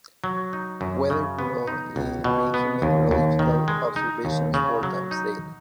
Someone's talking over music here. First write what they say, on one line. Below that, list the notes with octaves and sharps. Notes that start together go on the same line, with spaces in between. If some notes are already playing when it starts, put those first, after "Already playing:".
Weather Bureau in making meteorological observations four times daily.
F#3
D#4
F#2
C#3
B3
D#4
C#2
B2
B3
D#2
D#2
D#3
G#3
D#4
D#2
C#3
F#3
D#4